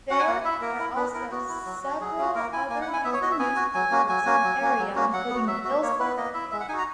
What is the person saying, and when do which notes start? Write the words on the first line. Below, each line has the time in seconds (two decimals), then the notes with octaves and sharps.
There are also several other weekly newspapers in the area including the "Hillsboro Banner".
0.10 C#4 F#4 F#5
0.19 G#5
0.27 A#3 F#5
0.44 E4 E5
0.61 A#3 A#4
0.79 E4
0.96 B3 B4
1.14 E4 A#4
1.31 B3 F#4
1.49 E4
1.66 F#3
1.84 C#4 F#4
2.01 F#3 G#4
2.18 C#4 F#4
2.35 A#3 A#4
2.52 E4 G#5
2.69 A#3 G#5
2.81 F#5
2.88 E4
2.93 G#5
3.04 B3 E5
3.13 C#5
3.22 F#4 D#5
3.31 E5
3.39 B3 G#5
3.56 F#4
3.74 F#3 G#5
3.91 A#3 C#4 F#4
4.09 F#3 G#5
4.26 A#3 C#4 F#4
4.44 F#3
4.61 A#3 C#4 F#4
4.78 F#3
4.95 A#3 C#4 F#4
5.12 F#3 F#5
5.30 B3 F#4
5.47 F#3 E5
5.64 B3 F#4 E5
5.82 A#3 C#5
5.99 E4 B4
6.17 A#3 D#5
6.34 E4 E5
6.51 G#3 E5
6.60 F#5
6.69 D#4 G#5
6.73 F#4 A#5